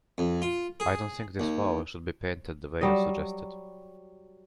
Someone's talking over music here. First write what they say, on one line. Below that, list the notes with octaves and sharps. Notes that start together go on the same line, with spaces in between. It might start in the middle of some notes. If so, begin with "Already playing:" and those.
I don't think this wall should be painted the way you suggested.
F2
F4
G#4
D#2
F#3 G3 D#5